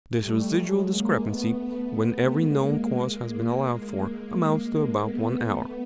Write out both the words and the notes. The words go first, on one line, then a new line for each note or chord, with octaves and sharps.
This residual discrepancy, when every known cause has been allowed for, amounts to about one hour.
G3 A3
F#3 G#3
G#3 A#3
A3 B3
G#3 A#3
A3 B3